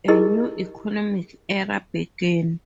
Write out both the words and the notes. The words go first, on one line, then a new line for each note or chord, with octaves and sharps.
A new economic era began.
D#4 E4 G4 G#4 A#4 D#5